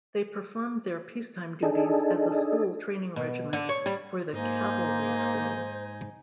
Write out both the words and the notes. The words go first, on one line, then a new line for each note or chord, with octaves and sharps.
They performed their peacetime duties as a school training regiment for the Cavalry School.
D4 D#4 G#4 A4
B2
D3
C#5
G3
G#2 A#3 D#4 C5 G#5